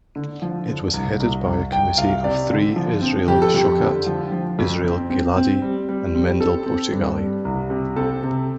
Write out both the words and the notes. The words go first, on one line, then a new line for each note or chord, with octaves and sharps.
It was headed by a committee of three-Israel Shochat, Israel Giladi, and Mendel Portugali.
D3
F3
D3
C2
C2
C2
C2 G5
C2 F5
C3 D5
D3
F3
C4
F2 G4
A4
F2 G4
D3
F3
F3
F2
C4
C4
C4
G3
G3
C4
C4 A4
C4
G2
G3
C2
C3
C4 A4
C3